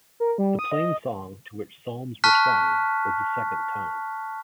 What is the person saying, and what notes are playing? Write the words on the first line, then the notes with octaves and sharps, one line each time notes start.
The plainsong to which psalms were sung was the second tone.
A#4
G3
D#6
D#5
A5 C#6 F6 F#6 B6